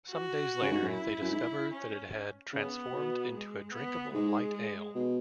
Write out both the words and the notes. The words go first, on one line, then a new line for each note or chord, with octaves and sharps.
Some days later they discovered that it had transformed into a drinkable light ale.
F#4
C#3
G#2
F#2
E4
F#2
G#2
C#4
C#3 B3
B2
G#3
B3
G#2 G#3
B2